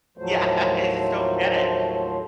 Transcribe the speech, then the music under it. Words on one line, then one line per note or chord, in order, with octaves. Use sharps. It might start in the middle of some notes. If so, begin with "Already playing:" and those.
Yeah, I just don't get it.
D#2 A2 F3 F#3 A3 C5